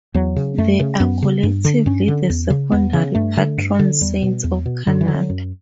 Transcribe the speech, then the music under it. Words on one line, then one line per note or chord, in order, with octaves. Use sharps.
They are collectively the secondary patron saints of Canada.
E2 F#3
C#3
F#2 A3
C#3
F#2 B3
C#3
G2
D3
G2 C#4
D3
E2
C#3
E2 B3
C#3
G2 A3
D3
G2
D3
E2 G3
B2
E2
B2
F#2 D3
E3
D3
F#3
F#2